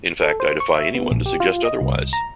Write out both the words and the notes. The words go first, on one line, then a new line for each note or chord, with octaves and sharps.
In fact, I defy anyone to suggest otherwise.
A4
C5
C#6
E5
B3
A#1
G4
F4
D#5
C2
C2
A#5